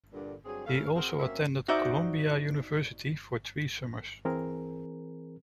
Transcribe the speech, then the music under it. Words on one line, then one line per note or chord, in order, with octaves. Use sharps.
He also attended Columbia University for three summers.
G2 A#2 D3
G2 F#3 C4 G#4
C#3 A3 F5
C4 F#4 G#4 A#4
F#3 A#3 C4 C#4 E5
D#4 F#4 C5 D5 E5
E3 C4 G#4 A#4